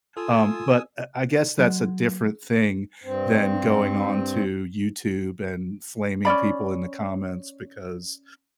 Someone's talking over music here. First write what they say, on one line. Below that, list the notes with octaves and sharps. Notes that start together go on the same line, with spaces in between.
Um, but, uh, I guess that's a different thing than going on to YouTube and flaming people in the comments because
F4 A4 G#5 D#6 E6
F#3
G2 C4
C#4 D#4 D5 B5